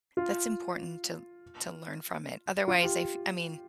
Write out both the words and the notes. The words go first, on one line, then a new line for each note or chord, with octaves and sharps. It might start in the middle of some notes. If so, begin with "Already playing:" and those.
That's important to to learn from it. Otherwise, I f I mean
F4
F4
G4